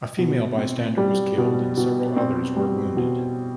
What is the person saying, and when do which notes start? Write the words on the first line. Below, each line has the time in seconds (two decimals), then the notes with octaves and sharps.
A female bystander was killed and several others were wounded.
0.18 B2
0.58 C4
0.98 G3
1.38 B2
1.77 B2
2.16 C4
2.56 G3
2.97 B2